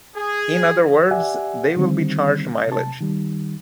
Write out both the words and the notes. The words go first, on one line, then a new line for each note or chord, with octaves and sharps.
In other words, they will be charged mileage.
G#4
G4 D5 E5 F#5 G#5
D3 D#3 G3 C4
C3 A5
D#3 G3